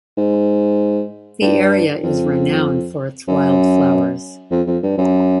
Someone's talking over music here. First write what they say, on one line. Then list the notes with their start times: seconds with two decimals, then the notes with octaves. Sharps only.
The area is renowned for its wildflowers.
0.18 G#2
1.42 G2
2.03 F2
3.28 F#2
4.51 F2
4.67 F2
4.83 G2
4.98 F#2